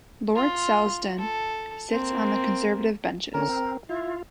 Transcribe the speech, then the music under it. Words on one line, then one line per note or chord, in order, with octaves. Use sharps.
Lord Selsdon sits on the Conservative benches.
F4
A4
A#3 C4
D3 C#4 A#4
C4
E4 F4